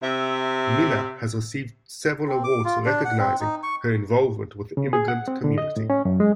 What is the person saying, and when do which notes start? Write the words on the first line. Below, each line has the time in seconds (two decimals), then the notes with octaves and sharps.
Minna has received several awards recognizing her involvement with the immigrant community.
0.02 C3 E5
2.28 C4
2.44 D6
2.65 F4
2.85 D4
3.05 F#5
3.19 C4
3.40 D#4
3.63 C#6
4.77 C#3
4.93 G#4
5.08 F#5
5.28 C4
5.44 D3
5.58 D#5
5.76 A2
5.90 C#4
6.05 F#2
6.20 G#3